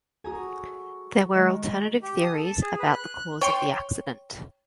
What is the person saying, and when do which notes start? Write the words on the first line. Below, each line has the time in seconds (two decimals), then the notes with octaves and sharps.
There were alternative theories about the cause of the accident.
0.24 F#4 G#4 A4 G#5 A#5 D#6
1.34 D#3 G#3
2.02 G4
2.21 D#6
2.33 A4
2.46 A5
2.62 G#4
2.79 B4
2.92 F#6
3.14 F#6
3.41 C#5 G5 C6